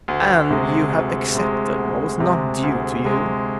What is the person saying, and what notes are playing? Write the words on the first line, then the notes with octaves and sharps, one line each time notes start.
"And you have accepted what was not due to you."
D2
C3 G#3
D2
C3 G#3
D2
C3 G#3
D2
C3 G#3